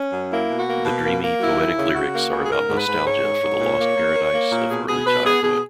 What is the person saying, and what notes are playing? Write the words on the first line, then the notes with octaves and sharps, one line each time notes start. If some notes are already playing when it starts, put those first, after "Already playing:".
The dreamy, poetic lyrics are about nostalgia for the lost paradise of early childhood.
Already playing: C#4
F#2
A#3 E4
B2
F#4
A#3
B2
A#3
A#3
F#3 E4
D#2
C#3
C#3 F#4
A#3
C#3
G#4
G#2 A#4
G#2
B4
G#2
G#2 C#5
G#2
G#2
A#2
A#3
A#3
A#3
A#3
A#2
B2 G#4
B2 G#4
B2 B4
B3 G#4
B2 G#4